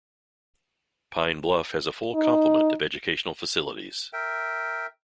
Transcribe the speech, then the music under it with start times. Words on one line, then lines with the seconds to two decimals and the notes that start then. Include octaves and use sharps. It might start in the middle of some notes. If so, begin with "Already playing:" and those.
Pine Bluff has a full complement of educational facilities.
2.15 D#4
4.13 A#4 E5 G5